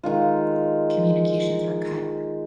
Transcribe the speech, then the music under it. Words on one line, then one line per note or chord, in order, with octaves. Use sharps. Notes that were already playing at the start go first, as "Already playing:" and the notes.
Communications were cut.
D#3 G#3 F4